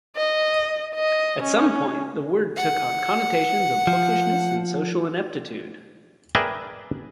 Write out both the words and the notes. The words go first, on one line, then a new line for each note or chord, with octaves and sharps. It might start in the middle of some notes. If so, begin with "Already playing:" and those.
At some point, the word took on connotations of bookishness and social ineptitude.
D#5
D#5
C#4
F#5
F3
G#4 A#4 B4 D5 E5 G5